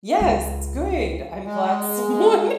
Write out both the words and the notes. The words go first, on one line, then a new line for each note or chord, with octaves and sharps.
Yes, good, I'm glad someone
C#2 G#3
G#3